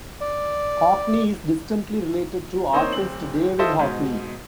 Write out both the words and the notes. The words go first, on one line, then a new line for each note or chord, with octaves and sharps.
Hockney is distantly related to artist David Hockney.
D5
A#3 C4 D#4 C5 C#5 D#5
D1 C4 F#7
E4 F4 A4 C5 D#5 E5
G#2 B2